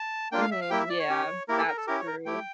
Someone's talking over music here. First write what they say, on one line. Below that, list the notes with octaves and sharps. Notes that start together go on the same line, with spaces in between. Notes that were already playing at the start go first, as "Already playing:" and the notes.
Mhm. Yeah. That's true.
Already playing: A5
A#3 D4 F4 G5
F5
E5
F5
A#3 E4 G4 G5
E5
D5
C#5
C#4 G4
A#3 E4 G4 A#4
A4
A#4
A4
C#4 E4 G4 A#4
C#5
A#4
A3 E4 G4 G5